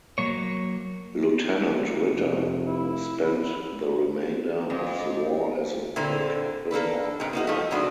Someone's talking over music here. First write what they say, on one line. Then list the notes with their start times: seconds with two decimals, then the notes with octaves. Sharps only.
Lieutenant Ritter spent the remainder of the war as an American prisoner of war.
0.18 F#3 A#3 C#5
2.11 F1
2.67 E4
4.70 F2
5.96 A#2 D3 C4 E4
6.71 A#3 D4 A4 B4
7.20 G#2 C3
7.33 A#3 D#4 F#4
7.47 F3 A3
7.71 C3 G#3 B3 D4 F#4